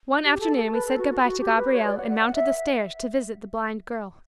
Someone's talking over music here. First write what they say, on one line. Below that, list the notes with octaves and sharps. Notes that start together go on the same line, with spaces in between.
One afternoon we said good-bye to Gabriel and mounted the stairs to visit the blind girl.
G4
G4
A4
A4
B4
A4
F#4
F#4
F#4
G4
B4
C#5
D5
F#5
F#5
F#5
E5